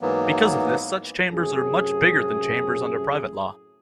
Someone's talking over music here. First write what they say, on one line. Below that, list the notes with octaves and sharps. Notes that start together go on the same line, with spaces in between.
Because of this, such chambers are much bigger than chambers under private law.
G#2 E3 F#3 A#3 B3
F#2 A2 C3 G#4